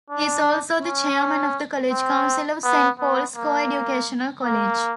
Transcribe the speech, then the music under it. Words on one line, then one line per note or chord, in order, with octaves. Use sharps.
He is also the Chairman of the College Council of Saint Paul's Co-educational College.
D4
C#4
C4
B3
B3
A#3
A#3